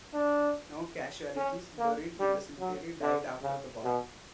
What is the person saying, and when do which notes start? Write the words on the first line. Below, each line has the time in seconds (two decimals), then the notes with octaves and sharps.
No casualties buried in the cemetery died after the war.
0.14 D4
1.37 C#4
1.78 A#3
2.20 G3
2.60 F#3
3.02 D3
3.43 C#3
3.84 B2